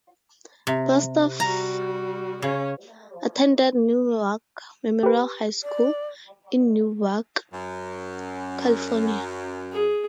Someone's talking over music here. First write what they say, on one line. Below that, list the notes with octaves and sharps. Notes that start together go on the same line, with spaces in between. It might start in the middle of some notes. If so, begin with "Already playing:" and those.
Bostaph attended Newark Memorial High School, in Newark, California.
C3
G3 F#4 A#5
C#3 C#4 C#5
G4 B4
D5
F#2
G#4